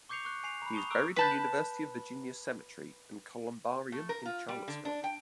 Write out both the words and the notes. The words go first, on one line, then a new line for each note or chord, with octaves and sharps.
He is buried in University of Virginia Cemetery and Columbarium in Charlottesville.
C#6 D6 G6 C7 C#7 F7
C#6 F#6
G#5 C7 F7
A#5 B5
A5 C#6 D#6 F7
A#5 C#6 D6 E6 F#6 D7
B4 A5 G6
A3
A#4
F4
G3
D3
D4
G5